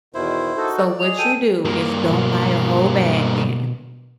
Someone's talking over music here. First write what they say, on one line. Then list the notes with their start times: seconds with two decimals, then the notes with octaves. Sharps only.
So what you do is don't buy a whole bag then,
0.14 E2 B2 D#3 E4 C5
0.56 D#4 F#4 A4
0.80 D5
1.00 G#3 G#4 F7
1.18 A4 G5 D#7
1.65 G2 A#3
2.11 B2